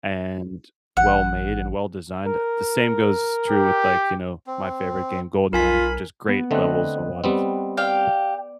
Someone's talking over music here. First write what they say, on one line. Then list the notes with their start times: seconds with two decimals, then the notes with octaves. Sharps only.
and well made, and well designed, uh, the same goes true with like, you know, my favorite game, GoldenEye, just great levels and a lot of
0.97 A1 F#5
2.26 A#4
3.48 G4
4.47 C4
5.53 B1 F4 A#4 G#5 B5 B6
6.28 B3
6.51 D3 A3 C4 D#5 F#6
7.24 G3 B3 C4
7.77 G4 D5 F5 G5